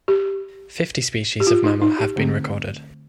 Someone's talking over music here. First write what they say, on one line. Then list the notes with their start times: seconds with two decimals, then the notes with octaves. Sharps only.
Fifty species of mammal have been recorded.
0.08 G4
1.40 G4
1.47 F4
1.64 D#4
1.82 D#4
1.99 G4
2.16 D3 A3 C4